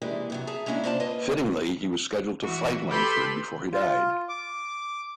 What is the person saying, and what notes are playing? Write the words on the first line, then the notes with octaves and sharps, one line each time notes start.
Fittingly, he was scheduled to fight Langford before he died.
C3 E3 G#3 A#3 D4 G4
G#2 C3 F#3
G#4 E5 A5 A#5
G#3 A#3 C#4 D4 E4
C3 F4 C5 D5 E5 A5
A#3 B4 D#5
E3 F#4
G4 A4 B4 B5 C6 G6
F4
D6